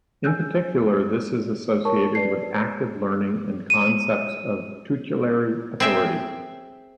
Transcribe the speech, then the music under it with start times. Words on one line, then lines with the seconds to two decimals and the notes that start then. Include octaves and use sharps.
In particular this is associated with active learning and concepts of tutelary authority.
0.24 G#5 E6 F#6 G6
1.85 A#4 C#5 A5 C#6
2.15 B4 D5 A5 C7
3.70 D#7
5.80 C4 G#4 E5 G5